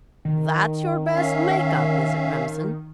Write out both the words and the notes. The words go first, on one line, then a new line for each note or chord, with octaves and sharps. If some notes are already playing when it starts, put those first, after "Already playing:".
"That's your best make-up, is it, Remsen?"
D#3
C#4 E5 F5